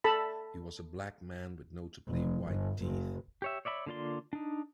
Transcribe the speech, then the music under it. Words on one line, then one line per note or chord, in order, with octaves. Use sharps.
He was a black man with notably white teeth.
A4 A5 B5
F1
G1
F#1
G4 C#5 E5
C#5 D5 E5 B5
D3 A#3 F4 D5 C6
D4 D#4